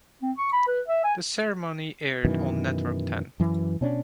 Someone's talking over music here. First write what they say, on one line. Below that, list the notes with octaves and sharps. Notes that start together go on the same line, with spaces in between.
The ceremony aired on Network Ten.
C4
C#6
B5
B4
E5
G#5
F#2 B2 D#3 E3
F#2 E3
B2 C#4 D4